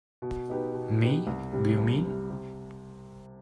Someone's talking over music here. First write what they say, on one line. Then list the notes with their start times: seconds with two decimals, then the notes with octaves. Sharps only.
Me, do you mean?
0.22 B2
0.48 B3 D#4 G4 B4
0.74 B2
1.01 B3 D#4 G4 B4
1.27 C2
1.52 C3 G3
1.78 C2
2.04 C3 G3
2.30 C3